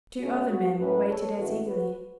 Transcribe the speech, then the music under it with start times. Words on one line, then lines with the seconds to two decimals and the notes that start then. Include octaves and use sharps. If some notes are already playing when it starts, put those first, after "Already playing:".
Two other men waited as eagerly.
0.20 B2 A3 C#4 F#4
0.50 F#4
0.79 A2 F#3 C#4 F#4 B4
1.08 A4 C#5
1.38 A2 E3 A3 C#4 F#4 B4
1.67 F#4 B4